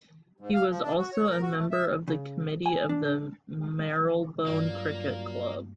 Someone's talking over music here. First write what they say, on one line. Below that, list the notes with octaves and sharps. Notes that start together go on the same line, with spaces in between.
He was also a member of the Committee of the Marylebone Cricket Club.
G#2
F5
F3
D4
F#4
C#5
A#4
F#4
A3
E5
C#3
G#5
D4
G2 F#3 A#3 F4 D5